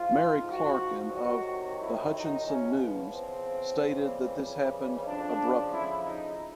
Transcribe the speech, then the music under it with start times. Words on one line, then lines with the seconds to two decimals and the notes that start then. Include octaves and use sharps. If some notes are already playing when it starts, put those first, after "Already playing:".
Mary Clarkin of "The Hutchinson News" stated that this happened "abruptly".
Already playing: G#2 F3 F4
0.52 F#4
1.16 C2 C3 D#3 F#3 F#4
1.81 E4
2.14 D#4
2.46 E2 C#3 F3 C#4
2.79 B3
3.12 C4
3.76 F2 C#3 E3 G3
5.06 F2 C#3 F3 D4
5.71 E4
6.04 D#4